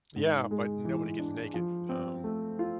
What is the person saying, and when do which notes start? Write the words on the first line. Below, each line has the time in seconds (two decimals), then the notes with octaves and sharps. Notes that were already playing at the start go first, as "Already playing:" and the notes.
Yeah, but nobody gets naked. Um
0.16 G#2
0.51 G#3
0.85 E3
1.19 D4
1.54 F3
1.89 C4
2.24 A3
2.59 F4